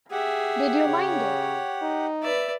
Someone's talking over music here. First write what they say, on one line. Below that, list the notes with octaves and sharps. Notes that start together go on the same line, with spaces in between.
Did you mind it?
G4 G#4 E5 F#5
C#3 C#5
D#4
B4 D5 E5